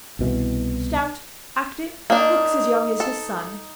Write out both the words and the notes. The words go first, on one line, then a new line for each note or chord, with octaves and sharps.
Stout, active--looks as young as his son.
C2 B2 E3
A#3 D4 D#4
A4